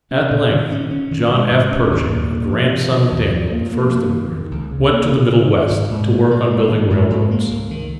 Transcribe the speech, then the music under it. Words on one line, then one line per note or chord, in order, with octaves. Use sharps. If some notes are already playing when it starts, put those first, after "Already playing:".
At length, John F. Pershing, a grandson of Daniel, the first immigrant, went to the Middle West, to work on building railroads.
C#4
A#2
D#3
C#4
C#4
D#3
G#3
G#2
C#4
D#2
A#2
A#2
F3
F3
D#3
D#2
F3
A#3
A#3
A#3
D#3
D#3
C#2
C#3
A#3
C#3
D#3
D#3
G#2
G#2
A#2
A#2
G#3
D#3
G#2
G#2
A#3
C#2
D#3